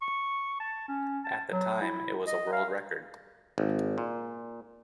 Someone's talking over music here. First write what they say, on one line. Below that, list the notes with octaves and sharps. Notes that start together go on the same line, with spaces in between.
At the time, it was a world record.
C#6
A5
C#4
A5
F#3
E4
D#5
F5
G#1
A#2